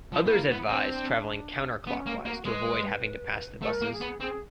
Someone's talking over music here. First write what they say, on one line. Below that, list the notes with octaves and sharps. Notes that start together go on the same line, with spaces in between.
Others advise traveling counter-clockwise to avoid having to pass the buses.
F3 E4
B3
A#3
B3
C4 D4
B3 D4
C#4
A#3
F#4
A#3
G#3 B4
A3 B4
A#4
A#3
G#4
B3
C4 G#4